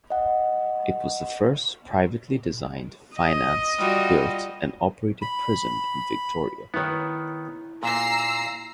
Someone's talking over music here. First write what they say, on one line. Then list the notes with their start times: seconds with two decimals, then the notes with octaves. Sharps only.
It was the first privately designed, financed, built and operated prison in Victoria.
0.10 D#5 F#5
3.17 D#5
3.78 G3 F4 F#4
5.22 B5
6.74 D#3 B3 E4 C#5
7.83 A#2 A#5 E6 C7